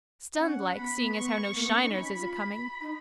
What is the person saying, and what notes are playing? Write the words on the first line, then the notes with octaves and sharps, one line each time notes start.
Stunned like, seeing as how no shiners is acoming.
C#4 F#5
B3 B5
B3
B3 C#6
A#3
B3
C#4
D#4
C#4 B5
F4
D#4